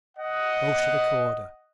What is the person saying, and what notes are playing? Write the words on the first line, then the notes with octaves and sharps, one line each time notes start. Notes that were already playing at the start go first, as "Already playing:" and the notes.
Bolshevik order.
D#5 F#5